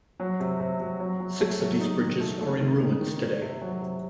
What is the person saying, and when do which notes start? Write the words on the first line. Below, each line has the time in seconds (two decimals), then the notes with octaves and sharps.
Six of these bridges are in ruins today.
0.20 F#3
0.40 C3
0.60 C3
0.80 F#3
1.00 F#3
1.20 F#3
1.40 A3
1.60 F#3
1.80 D#4
2.00 D#3
2.20 A3
2.41 A3
2.61 D#3
2.80 D#4
3.01 D#3
3.21 D#3
3.41 C3
3.62 F#3
3.82 C3